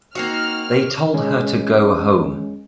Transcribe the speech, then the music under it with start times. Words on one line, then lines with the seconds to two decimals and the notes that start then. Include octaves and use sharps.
They told her to go home.
0.15 A#3 C4 D#4 F#4 F6
1.14 G#3 C#4